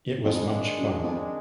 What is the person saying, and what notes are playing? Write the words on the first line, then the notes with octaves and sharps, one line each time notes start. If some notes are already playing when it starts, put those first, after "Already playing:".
It was much fun.
F2 D#3 G#3 D4
F#2
F2